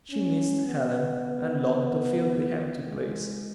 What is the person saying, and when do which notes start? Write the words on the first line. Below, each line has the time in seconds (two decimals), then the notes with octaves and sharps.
She missed Helen, and longed to fill the empty place.
0.10 C#4
0.66 B3
2.87 G#3